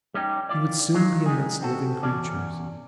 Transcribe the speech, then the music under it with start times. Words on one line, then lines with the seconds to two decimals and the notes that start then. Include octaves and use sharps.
He would soon be amidst living creatures.
0.14 G3 C#4 D#4 G4
0.49 F4 D5
0.94 D#3 F#3 G#3 F4
1.26 G3 G#3 D#4 G#4
1.62 C4 F#4 A4
2.03 E2 C#4 D5